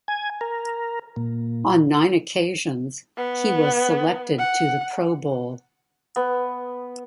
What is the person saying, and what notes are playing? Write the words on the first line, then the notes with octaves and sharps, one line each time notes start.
On nine occasions, he was selected to the Pro Bowl.
G#5
A#4
A#2
B3
F#5
B3